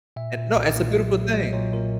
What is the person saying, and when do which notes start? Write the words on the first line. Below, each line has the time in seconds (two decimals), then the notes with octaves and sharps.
Eh, no, it's a beautiful thing,
0.16 A#2 E5
0.37 A#2
0.56 B1
0.76 A#2
0.96 F#3
1.14 F#3
1.34 F#3 D#5
1.53 A#2 C#5
1.73 A#2 A#4